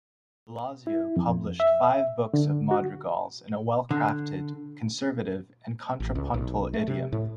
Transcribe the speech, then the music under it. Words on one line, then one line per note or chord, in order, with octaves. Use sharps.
Bellasio published five books of madrigals, in a well-crafted, conservative and contrapuntal idiom.
E4
F2
E5
D3
F#4
D3
A1
C#2
B1
A3
C3
A2